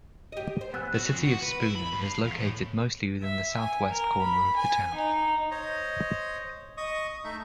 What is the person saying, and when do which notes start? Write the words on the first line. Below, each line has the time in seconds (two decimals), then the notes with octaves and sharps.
The City of Spooner is located mostly within the southwest corner of the town.
0.32 G4 D#5
0.61 C5
0.74 E3 B3 E6 F#6
0.94 F#4
1.10 F2
1.23 F#4
1.42 B4
1.61 E4
1.76 B5
1.93 G2
2.05 F5
2.24 E2
2.38 A2
3.23 E5
3.60 G#5
3.91 A#4
4.23 B5
4.57 G#5
4.96 D#4
5.51 C5 C#5 D#5
6.77 D#5 C#6 D#6
7.24 A3 D#4 E5